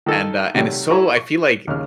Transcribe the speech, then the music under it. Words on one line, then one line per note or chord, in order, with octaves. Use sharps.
and, uh and it's so I feel like
D#3 D#4 A4
C3 D#3 F#3 G3 A3 G4
E4 A4 C#5 A#5 C#6
C#6
D#2 C#3 F6